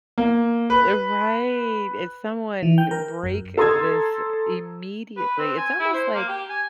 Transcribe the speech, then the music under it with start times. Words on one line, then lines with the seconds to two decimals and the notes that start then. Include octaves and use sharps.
Eh, right. If someone break this immediately, it's almost like
0.18 A#3
0.70 B4
2.63 E3
2.78 G5
2.91 A#4
3.23 F#2
3.57 A4 A#5 C6 D#6 E6 G#6
5.17 B4
5.38 C4
5.57 G#5
5.79 E4
5.93 C5
6.15 A#3
6.29 G4
6.50 G#5